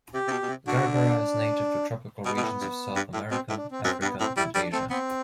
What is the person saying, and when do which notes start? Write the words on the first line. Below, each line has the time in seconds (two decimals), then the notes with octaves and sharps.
"Gerbera" is native to tropical regions of South America, Africa and Asia.
0.14 C3 G4
0.28 C3
0.31 B2
0.43 B2
0.49 C3
0.67 D3 F#4
0.94 D4
2.26 B2 B3
2.37 B2
2.44 A2
2.61 G2
2.96 G2
3.14 A2
3.31 B2 C4
3.49 A2
3.57 D4
3.71 C4
3.85 F#2 C4
4.02 G2 B3
4.20 A2 C4
4.37 G3 E4
4.55 G3 D4
4.72 A3 C4
4.90 B3 C4